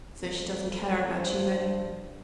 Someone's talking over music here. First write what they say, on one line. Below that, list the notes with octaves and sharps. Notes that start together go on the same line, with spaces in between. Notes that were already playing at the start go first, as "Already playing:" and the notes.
"So she doesn't care about you, then?"
F2
G2 F3